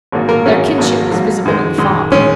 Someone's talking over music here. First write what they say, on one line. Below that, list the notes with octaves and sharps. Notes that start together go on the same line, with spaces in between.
Their kinship is visible in the fop.
G#1 G#2 F#3 A#3
A#3 A#4
G#1 G#2 F#3 A#3 C#4
G#1 G#2 F#3 A#3
G#1 G#2 F#3 A#3
F#2 D#3 G#3
F#2 D#3 G#3
D#3 G#3 C#4